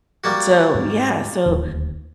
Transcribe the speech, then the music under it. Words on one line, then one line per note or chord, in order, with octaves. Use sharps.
And so, yeah. So,
G3 A#3 F#4
G#2
D1 D#2